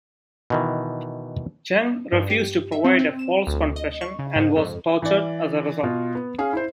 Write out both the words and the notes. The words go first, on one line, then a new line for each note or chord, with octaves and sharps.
Cheng refused to provide a false confession, and was tortured as a result.
B2 D#3 E3
G2
G4
E5
C4
C4
E7
D2
D#5
C#6
C#3
G#2
F2
E3 D5
B2 F4
B3
C#4 G#4 F5
E4 C5